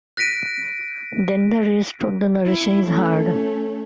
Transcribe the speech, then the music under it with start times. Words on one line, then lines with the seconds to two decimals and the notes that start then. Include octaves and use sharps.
Then the rest of the narration is heard.
0.17 F#6 A#6 B6 D7 D#7
2.46 E4
2.84 A3 C#4